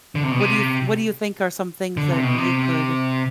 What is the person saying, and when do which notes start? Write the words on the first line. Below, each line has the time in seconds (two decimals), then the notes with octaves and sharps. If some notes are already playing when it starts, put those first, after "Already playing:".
What do you th what do you think are some things that you could
0.15 D3
0.24 C3
0.31 B2
0.40 C3
1.97 D3
2.10 C3
2.24 B2
2.38 C3